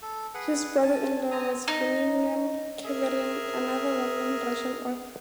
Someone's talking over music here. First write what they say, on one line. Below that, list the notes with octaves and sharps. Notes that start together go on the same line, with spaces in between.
His brother-in-law was Veniamin Kaverin, another well-known Russian author.
A4
G#4 B4 F#5
G#5 A5
C4 G#5 A#5 D#6
D#4
G#4 A#4 E5